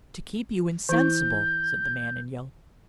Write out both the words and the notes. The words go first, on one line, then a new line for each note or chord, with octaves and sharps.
"To keep you insensible," said the man in yellow.
E3 E4 G6